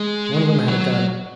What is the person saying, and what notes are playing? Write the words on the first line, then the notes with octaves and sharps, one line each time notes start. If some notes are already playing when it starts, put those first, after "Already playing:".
One of them had a gun.
Already playing: G#3
F#3